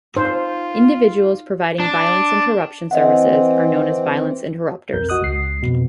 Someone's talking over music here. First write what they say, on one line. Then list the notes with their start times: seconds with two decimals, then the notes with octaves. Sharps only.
Individuals providing violence interruption services are known as violence interrupters.
0.17 D#4 F4 C5
1.80 D4
2.91 E3 C4 D#5 E5 F#5
4.93 B1 F2 A#4 G6
5.09 F#4 D#5 D#6 F#6
5.22 C#2 C7
5.62 F2 B2